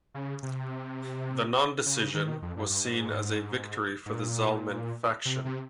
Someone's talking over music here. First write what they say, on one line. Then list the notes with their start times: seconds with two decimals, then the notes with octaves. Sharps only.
The non-decision was seen as a victory for the Zalmen faction.
0.14 C#3
0.43 C3
1.86 C#3
2.14 D#3
2.42 F2
2.57 G2
2.70 G2
2.85 G#2
4.06 G#2
4.13 A#2
5.25 C3
5.45 C3